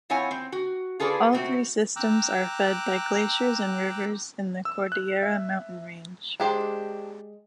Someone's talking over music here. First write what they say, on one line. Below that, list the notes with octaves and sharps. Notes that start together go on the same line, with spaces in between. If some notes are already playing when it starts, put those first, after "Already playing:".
All three systems are fed by glaciers and rivers in the Cordillera mountain range.
C4 E4 F4 C#5 F#5 G#5
C4
F#4
F4 G#4 A4 B4 D5
C3 C4 F#4
G5 A#5 D6 E6 F#6
E6
F#6
E5
G#3 D4 G4 C5